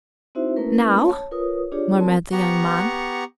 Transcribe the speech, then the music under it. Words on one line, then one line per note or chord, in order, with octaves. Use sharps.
"Now," murmured the young man.
C4 D#4 E4 F#4 C5 E5
A3 A#3 C#4 E4 A#4 B4
C#5 A5
F4 A#4 B4 C#5 D#6
D4 F4 G4 G#4 C#5 D5
C4 A#4 A5
B3 G4 F#5 A#5 C#6